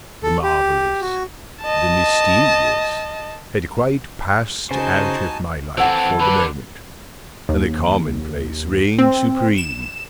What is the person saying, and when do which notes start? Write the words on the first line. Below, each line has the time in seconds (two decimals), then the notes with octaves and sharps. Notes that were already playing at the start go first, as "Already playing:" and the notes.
The Marvellous--the Mysterious--had quite passed out of my life for the moment: and the Common-place reigned supreme.
0.23 A4
0.43 G4
1.01 F#4
1.63 D#5 A5
4.71 C#3 D#4 F#4 C5 G#5 A5
5.78 E3 C4 A4 C5 F#5 G#5 A5
6.20 D3 B4
7.49 D#2
8.99 C4
9.58 E7